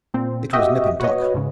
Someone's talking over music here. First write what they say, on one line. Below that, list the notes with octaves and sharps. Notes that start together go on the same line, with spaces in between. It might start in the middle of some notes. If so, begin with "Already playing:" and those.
It was nip and tuck.
A#2 C4
F#4 G4 D#5 E5
F#4 B4 C#5 D#5
G#2 C#3